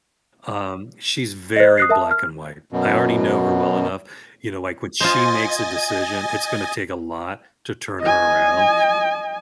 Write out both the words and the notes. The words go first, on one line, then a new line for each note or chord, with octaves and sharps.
um, she's very black and white. I already know her well enough, you know, like, when she makes a decision, it's gonna take a lot to turn her around,
C5 D#5
D#6 F#6 C7
A#4 E5 A5
F6
F#2 B2
F4 C5 D#5 G#5 A6
D#5 G#5